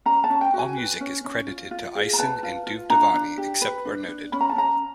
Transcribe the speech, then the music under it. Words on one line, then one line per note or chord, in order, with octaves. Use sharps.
All music is credited to Eisen and Duvdevani except where noted.
C#4 A#5
A5
C#4
G5
F#4
G#5
B4
C#4
C#4
F4
F4
G#4
A#5
B4 A5
F4
F4
D4 A#5
D4
G4
B4
D4
D4
C#4 B5
A#5
A5
C#4 A#5